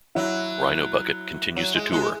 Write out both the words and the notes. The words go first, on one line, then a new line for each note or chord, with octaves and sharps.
Rhino Bucket continues to tour.
F#3 E4
F#3
G#3
G#3